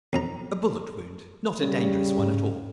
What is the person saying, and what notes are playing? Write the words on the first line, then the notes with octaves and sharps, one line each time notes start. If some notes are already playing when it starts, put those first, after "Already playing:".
"A bullet wound--not a dangerous one at all."
B1 F2 A#5
C#3 G3
G#2